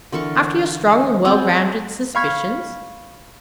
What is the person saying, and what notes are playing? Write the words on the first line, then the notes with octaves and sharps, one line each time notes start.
"After your strong and well-grounded suspicions?"
D3 E3 A#4 C#6
G#3 B3 C4
F5 B5 C#6 F6 G#6 B6